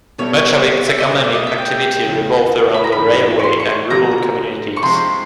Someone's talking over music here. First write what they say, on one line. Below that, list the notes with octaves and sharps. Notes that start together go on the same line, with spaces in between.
Much of its economic activity revolved around the railway and rural communities.
B2 G3 B3 E4 A4 C#5
E5
D#5
B2 F#3 A3 C4 D5
D5
D#5
E5
G5
E2 C#3 F3
B5
A#5
B5
G#2 E3 A3 C4
C#6
C6
C#6
D3 F3 A#3 A#5
C#6
C3 F3 G#3 C4 E4 C6